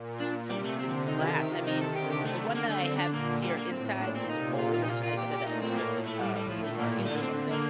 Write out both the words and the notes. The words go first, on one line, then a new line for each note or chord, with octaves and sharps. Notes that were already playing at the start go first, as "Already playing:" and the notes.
something glass, I mean, the one that I have here inside is old, I got it at, like, a a flea market or something,
Already playing: A#2
D4
C3 G3
A3
D3 C4
C3 D#3 D#4
A4
G4
F4
D#4
A4
D3 G4
G4
A3
A#3
A3
C4
D4
A#2 A#3
G3
A#3
A2 C4
C4
A#2 D4
C4
C3 D#4
A#2 F4
F4
D#4
F4
F4
G4
G4
A2 D#4
C4
A#3
A3
G3
G3
F3
A#2 A3
A#3
D3 G3
A3
A#3
C4
A#3